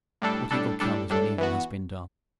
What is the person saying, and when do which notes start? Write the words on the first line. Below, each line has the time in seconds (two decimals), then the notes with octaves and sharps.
What evil comes when evil has been done.
0.22 A2 G3 D4 A4
0.51 A2 G3 D4 A4
0.80 A2 G3 D4 A4
1.10 A2 G3 D4 A4
1.38 E3 B3 F#4